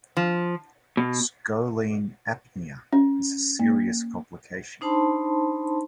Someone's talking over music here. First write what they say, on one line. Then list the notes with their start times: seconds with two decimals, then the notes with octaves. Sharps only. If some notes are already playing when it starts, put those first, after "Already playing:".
"Scoline apnea" is a serious complication.
0.17 F3
0.97 B2
2.93 C#4
3.59 A#3
4.81 D4 D#4 C5 A5 B5 C6